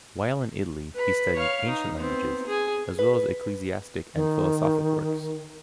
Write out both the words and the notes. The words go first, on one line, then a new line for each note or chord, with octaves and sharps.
While in Italy, he studied ancient languages, as well as ecclesiastic and philosophic works.
B4 B5
C#5 F5
D#4
B3 C4
G#4 G#5
B4
D#3